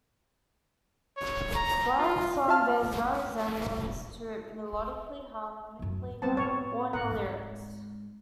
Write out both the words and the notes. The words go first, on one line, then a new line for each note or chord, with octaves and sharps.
Bland's song bears no rememblace to it melodically, harmonically, or in the lyrics.
C#5
A#5
F4
F4 E5 F5 A5 F6
F#2 A2
G3 B3 C4 A5
A2 C#5
G#1 A#4 F#5
G#2 G#3